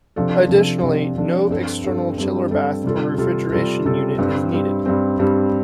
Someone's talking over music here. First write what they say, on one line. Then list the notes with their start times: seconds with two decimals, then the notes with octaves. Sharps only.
Additionally, no external chiller bath or refrigeration unit is needed.
0.16 C3 F3 D4 A4
0.49 C3 F3 D4 A4
0.83 C3 F3 D4 A4
1.17 C3 F3 D4 A4
1.50 G2 G3 C4 A4
1.84 G2 G3 C4 A4
2.18 G2 G3 C4 A4
2.51 G2 G3 C4 A4
2.84 C3 G3 F4 A4
3.18 C3 G3 F4 A4
3.52 C3 G3 F4 A4
3.85 C3 G3 F4 A4
4.18 G2 G3 C4
4.52 G2 G3 C4
4.86 G2 G3 C4
5.19 G2 G3 C4